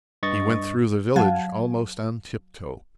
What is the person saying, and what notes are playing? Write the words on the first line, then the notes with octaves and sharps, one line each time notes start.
He went through the village almost on tiptoe.
G2 D#5 C#6 A6
F#3 F5 F#5 A5 G#6